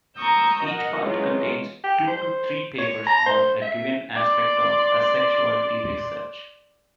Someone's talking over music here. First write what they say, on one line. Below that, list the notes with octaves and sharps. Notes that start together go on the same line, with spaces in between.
Each part contains two to three papers on a given aspect of asexuality research.
A#5 C#6 D#6 E6 G6
F#4 A#4 D#5 F#5
E3 F#3 G#3 C#4 F4
G4
C5
C#5
A#5
C5
E5
D5 C6